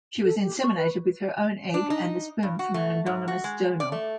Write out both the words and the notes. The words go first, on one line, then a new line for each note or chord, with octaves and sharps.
She was inseminated with her own egg and the sperm from an anonymous donor.
A4
G4
C#6
B4
D4
D#4
G2
F#4
A3
G#2
F#4
G#3
D5
A3